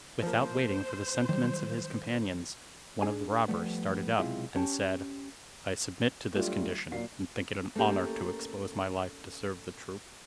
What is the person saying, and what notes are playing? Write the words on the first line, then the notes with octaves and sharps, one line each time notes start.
Without waiting for the sentiments of his companions, one of the robbers started up, and said, "I submit to this condition, and think it an honor to expose my life to serve the troop."
F3 A#3 C5
D#3 F#3 G3
D4 G#4 G#5
F3 G3 A3 B3
B1 C3 G#3 E4 F4 F5
C#4 G4 A5
F#3 G3 A3 D4 F4
A#2 F#3 A#3 D5 C7
A3 A#3 C#4 G4 A#4